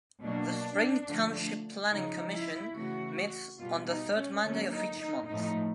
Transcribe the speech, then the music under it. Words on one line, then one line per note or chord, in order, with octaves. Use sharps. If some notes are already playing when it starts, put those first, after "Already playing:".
The Spring Township Planning Commission meets on the third Monday of each month.
B2 F#3 A#3 D4
D3 F3 A3
C#3 F3 G#3 D#4
E4
C#3 E3 A3 F#4
B2 G3 A#3 F4
D#4
C#4
D3 F#3 A#3 C#4
D#4
D#4
A2 F3 A3 D#4